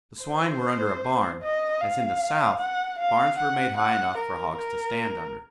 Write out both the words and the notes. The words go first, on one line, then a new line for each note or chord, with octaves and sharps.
The swine were under a barn, as in the South barns were made high enough for hogs to stand under.
C5
D#5
F5
F#5
F5
F#5
F#5
A#4
A#4